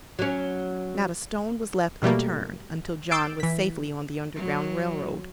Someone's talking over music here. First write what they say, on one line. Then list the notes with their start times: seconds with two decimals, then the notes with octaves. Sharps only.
Not a stone was left unturned until John was safely on the Underground Rail Road.
0.19 F#3 C#4
2.03 B2 G3 A3 A#3
3.11 D6 E6 G6 A6 C7 D7
3.40 E3 B6
4.36 F#3